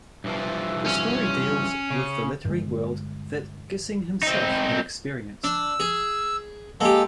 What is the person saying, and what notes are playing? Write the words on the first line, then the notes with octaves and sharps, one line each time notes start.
The story deals with the literary world that Gissing himself had experienced.
G2 E3 F3
C#4
C#3
G2 D3 G#3
C4 D#4
D4 E6
G#4
G#3 A#3 G4 A4